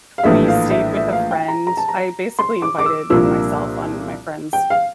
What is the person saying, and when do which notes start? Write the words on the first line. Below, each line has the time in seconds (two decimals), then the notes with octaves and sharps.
We stayed with a friend. I basically invited myself on my friend's
0.18 F5
0.24 A#1 A2 E3 A3 D4 E5
0.48 F5
0.71 E5
0.96 E5
1.13 F5
1.31 G5
1.48 A#5
1.67 A#5
1.77 A5
1.88 A#5
2.39 C6
2.62 D6
2.79 D6
2.86 E6
3.10 C2 A#2 F3 A#3 D4 E6
4.53 G5
4.70 F5